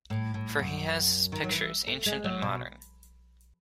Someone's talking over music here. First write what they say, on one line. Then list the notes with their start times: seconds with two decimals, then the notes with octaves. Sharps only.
For he has his pictures, ancient and modern.
0.10 A2
0.34 A2
0.59 F#2
1.32 D#3
1.44 F#3
1.51 E3
1.87 A3
2.06 G#3
2.24 F#3
2.42 B2